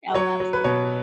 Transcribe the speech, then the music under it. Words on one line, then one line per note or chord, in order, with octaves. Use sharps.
Oh, absolute
F#3 C#5
F#3
B4
B2 C#5